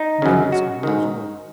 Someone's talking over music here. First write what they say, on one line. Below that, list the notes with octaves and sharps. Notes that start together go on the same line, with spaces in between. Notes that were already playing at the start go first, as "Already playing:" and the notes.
Amendments of Rules of Order.
Already playing: D#4
F#2 C#3
F#4
G#2 D#3